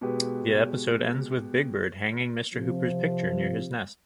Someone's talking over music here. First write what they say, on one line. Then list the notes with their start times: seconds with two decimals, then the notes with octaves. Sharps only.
The episode ends with Big Bird hanging Mr. Hooper's picture near his nest.
0.01 B2 G#3 G4 B4
2.54 C3 F3